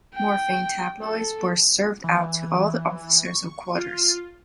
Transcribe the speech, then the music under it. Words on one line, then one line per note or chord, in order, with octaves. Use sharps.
Morphine tabloids were served out to all the officers of quarters.
G5
A4
E3
C#6
F4